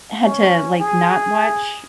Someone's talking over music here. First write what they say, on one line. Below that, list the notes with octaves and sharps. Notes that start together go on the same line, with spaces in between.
Had to, like, not watch
C#4
G#4